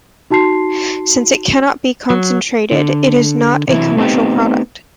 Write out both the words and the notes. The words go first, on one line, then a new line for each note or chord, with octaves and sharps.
Since it cannot be concentrated, it is not a commercial product.
D#4 F#4 A5 C6 C7
F#3
D3
C3 E3 F#3 E4
A3 B3 C4 D#4 G4